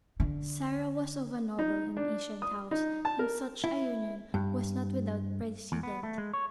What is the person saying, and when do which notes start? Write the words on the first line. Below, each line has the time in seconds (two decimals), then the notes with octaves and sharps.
Sarah was of a noble and ancient house, and such a union was not without precedent.
0.20 D3
1.59 D#4
1.97 D4
2.42 D#6
2.71 D#4
3.05 A5
3.19 A#4
3.64 E4
4.34 G2
5.72 E2
5.83 B3
6.03 A3
6.18 G#3
6.33 C#5